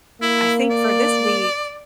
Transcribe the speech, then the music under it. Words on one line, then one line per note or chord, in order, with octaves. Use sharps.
I think for this week
A#3 E4
D5